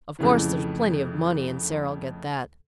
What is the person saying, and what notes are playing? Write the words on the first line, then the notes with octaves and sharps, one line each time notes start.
Of course, there's plenty of money and Sara'll get that.
F2 A2 C#3 E3